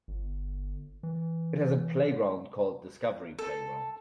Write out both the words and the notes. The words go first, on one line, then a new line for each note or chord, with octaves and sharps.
It has a playground called Discovery Playground.
G1
E3
A4